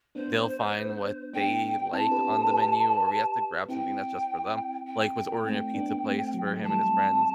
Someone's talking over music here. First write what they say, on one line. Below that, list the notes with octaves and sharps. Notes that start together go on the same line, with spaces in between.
they'll find what they like on the menu, or we have to grab something that's just for them, like, with ordering a pizza place for him and his friends,
B3 D4 C5
B3 D4 G5
C4 E4 A5
G4 B4
A4 C5
G4 B4
C4 E4 G5
G5
A3 C4 G5
B3 D4
A3 C4
F#3
A3
E3 G3 A5